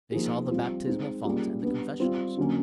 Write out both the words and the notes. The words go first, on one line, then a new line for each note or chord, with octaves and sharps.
They saw the baptismal font and the confessionals.
F3 A#3 D#4 G#4
G3 C4 F4
G#3 C4 D#4
G3 A#3 C#4 F4 G#4
G3 B3 D4
G3 C4 F4
D3 F#3 A#3 C#4